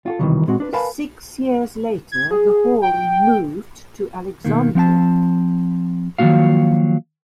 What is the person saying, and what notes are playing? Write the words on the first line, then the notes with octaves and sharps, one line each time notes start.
Six years later the Hall moved to Alexandria.
F4 F#4 A4
C2 F#2 B2 D#3 E3 F#3
A#2 G#3 C4 F#4
D4 B4
A#4 B4 F5 G#5 A5 B5
G#6
G#4
G5
B2 D#3 A#3
F3 C4 F#5 A5
D#3 F3 F#3 A#3 F#4 F5